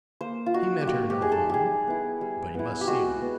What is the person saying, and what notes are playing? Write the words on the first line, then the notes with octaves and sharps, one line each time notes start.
He meant her no harm--but he must see her.
A#3 C5
F4
D#4 F#4
G4
A#3 F#4
G4
D#4 G#4
A4
G3 G4 G#4
B3 E4
G3
B3 E4
G4
G#3 F#4
B3